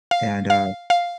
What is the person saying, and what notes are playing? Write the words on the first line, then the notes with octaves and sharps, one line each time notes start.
and, uh,
F5
F5
F5